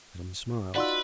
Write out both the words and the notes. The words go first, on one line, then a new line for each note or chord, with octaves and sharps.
Adam smiled.
D#4 F4 F#4 B4 D5 C6 E6